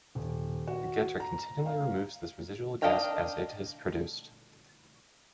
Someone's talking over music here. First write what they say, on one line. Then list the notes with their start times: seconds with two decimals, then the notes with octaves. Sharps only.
The getter continually removes this residual gas as it is produced.
0.15 D#1
0.68 F#4
1.20 A#5
1.66 F5
2.82 D4 D#5 F5 G5 A#5